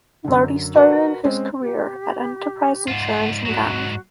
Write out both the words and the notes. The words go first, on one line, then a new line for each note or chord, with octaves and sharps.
Lartey started his career at Enterprise Insurance in Ghana.
F#2 D3
F#4 A#4 B4 F#5
G#3 C4 C#4
G4
G#2 F4 F#5
G#2 F#3 F#4